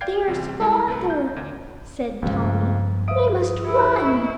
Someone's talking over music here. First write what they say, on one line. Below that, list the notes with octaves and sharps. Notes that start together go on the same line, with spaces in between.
"There's father," said Tommy; "we must run."
D5 F5 G5 G6 G#6 C7
A1 C3 G3
G3 G#3 E4 A4 A#4
C2 A3 B4
G6
D2
C#2 G2 F3 A#3 C5 F5
E5 F5 D#6 D7
E4 G4 A4 E6
A3 D#5 C#6